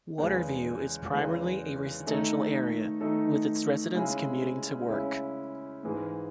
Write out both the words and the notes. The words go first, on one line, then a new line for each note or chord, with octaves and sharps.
Waterview is primarily a residential area, with its residents commuting to work.
E2 C#3 G#3
E2 C#3 G#3
D#3 A3 D#4 A4
D#3 A3 D#4 A4
C#3 G#3 C#4 E4
C#3 G#3 C#4 E4
G#2 E3 G#3